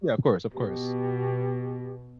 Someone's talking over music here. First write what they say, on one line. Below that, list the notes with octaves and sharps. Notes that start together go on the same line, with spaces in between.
Yeah, of course, of course.
B2 G4